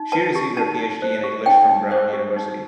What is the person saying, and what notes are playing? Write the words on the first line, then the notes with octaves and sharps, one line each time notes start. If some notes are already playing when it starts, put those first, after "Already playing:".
She received her Ph.D. in English from Brown University.
Already playing: D#4
B4 A5
G4
D#4 A5
D#4
C5
G4
D#4 G5
D#4
C5
G4
D#4